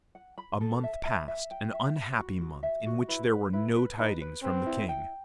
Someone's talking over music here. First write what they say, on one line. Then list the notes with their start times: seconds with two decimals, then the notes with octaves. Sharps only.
A month passed, an unhappy month in which there were no tidings from the King.
0.15 F#5
0.38 B5
0.61 A4
0.84 E5
1.05 E5
1.28 E5
1.51 G5
1.73 E5
1.96 B5
2.18 F#4
2.41 F#4
2.63 E5
2.86 F#4
3.09 E4 B4
3.32 B4
3.53 E4 B4
3.76 B4
3.98 D#4 B4
4.21 B4
4.43 C4 B4
4.66 E4
4.89 G5